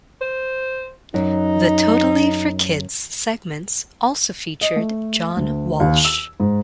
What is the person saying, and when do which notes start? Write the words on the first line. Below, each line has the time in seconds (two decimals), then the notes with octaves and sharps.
The "Totally For Kids" segments also featured John Walsh.
0.21 C5
1.14 F#2 D#4
4.61 D#5
4.76 A3
5.37 D2
5.80 D#2
6.05 E6
6.40 G#2